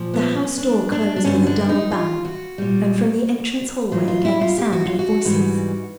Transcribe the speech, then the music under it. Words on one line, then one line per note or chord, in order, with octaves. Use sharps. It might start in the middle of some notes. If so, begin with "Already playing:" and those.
The house door closed with a dull bang, and from the entrance hallway came a sound of voices.
Already playing: A#2 F3
B3
C#4
D4
D4
D4
G2 D3 G3 C#4
D4
D#4
F4
F#4
A#2 G3
A2 F#3 F4
F4
E4
F4
G4
F#4
F4
F#4
G#2 E3 G3